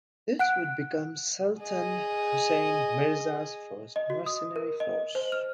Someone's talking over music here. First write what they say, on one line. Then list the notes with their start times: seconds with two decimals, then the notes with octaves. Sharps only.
This would become Sultan Husayn Mirza's first mercenary force.
0.39 F#5 F#6 D7
1.61 G#4 D#5
3.96 D#5
4.10 F#4
4.26 D#6
4.56 A#4
4.80 D#5
5.15 C5
5.32 F6